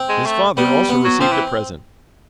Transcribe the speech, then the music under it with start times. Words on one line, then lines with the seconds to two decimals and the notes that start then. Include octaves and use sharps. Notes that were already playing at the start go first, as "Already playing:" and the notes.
His father also received a present.
Already playing: C4
0.09 G#3
0.26 A3
0.57 G3 B3
0.89 B3
1.05 F#3
1.20 F3 C4
1.31 E3